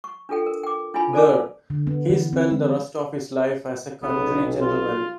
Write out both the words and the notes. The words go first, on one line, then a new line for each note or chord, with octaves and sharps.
There, he spent the rest of his life as a country gentleman.
C#6
D4 F4 A4 G5
A#4
G5 D6
D4 E4 F4 G#5 B5
A4 C5 D5 G#5 A5 D6
D3
B3
E3
C4
G#3
B1 B3
F4